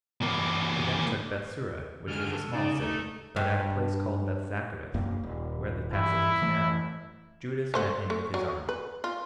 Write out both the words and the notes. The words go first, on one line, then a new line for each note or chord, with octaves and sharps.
He then took Bethsura, which was a small city; but at a place called Bethzacharis, where the passage was narrow, Judas met him with his army.
E3 A#3
F2 D3 G#3 F6
A4
C#3 D#4 D5
A3 D#4
G2
E1 F#2 A#3
D#1
G2 E3 E4
E3 A3
A3 C5 F#5
A3
F#3
B4
F4